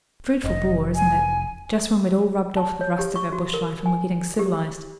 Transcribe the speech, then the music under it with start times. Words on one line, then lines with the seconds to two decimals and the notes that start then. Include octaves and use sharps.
Dreadful bore, isn't it? Just when we'd all rubbed off the rust of our bush life and were getting civilised.
0.44 F1 D#5
0.95 G#5
2.57 A5
2.81 C#5
2.99 G4
3.16 C#6
3.32 F#4
3.54 A#4
3.86 G#5
4.39 G4